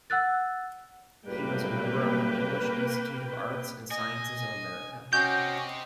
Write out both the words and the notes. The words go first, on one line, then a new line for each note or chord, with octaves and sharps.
He was a member of the Polish Institute of Arts and Sciences of America.
F#5 E6 F#6 A6
F#1 A2 G3 A#3 B4 G5
D#5 G#5
C4 C#4 F#4 G4 D#5 G6